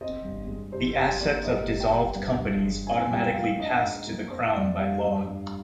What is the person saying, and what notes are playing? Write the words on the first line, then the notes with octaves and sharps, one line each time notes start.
The assets of dissolved companies automatically pass to the Crown by law.
C4 D#5
G2
G#3
C3 C5
C3 C5
A#3 D5
C3 D#5
C3
G5
G3
G2
G2
G#3
C4 G#5
G#5
C2 G5
F3 F5
D4 D#5
G#2
A#3
A#3 C5
F2 D5
G3 F5
G2
G2